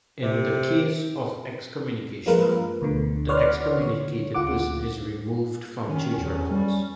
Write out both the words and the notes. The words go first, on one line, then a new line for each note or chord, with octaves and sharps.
In the case of excommunication, the excommunicated person is removed from church records.
C3
F3 G#3 A#3 F4 A#4 B4
D2 B2 D3
B4 C#5 D5 F#5 C6 F6
D3 D#3 C#5
D2 F4 F#5 D6
D#3 C#4
E2
G3